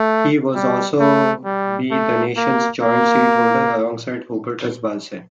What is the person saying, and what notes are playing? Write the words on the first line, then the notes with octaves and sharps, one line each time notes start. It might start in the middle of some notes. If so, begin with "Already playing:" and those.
He was also be the nation's joint seat-holder, alongside Hubertus Bahlsen.
Already playing: A3
G3
A3
G3
A3
A#3
A#3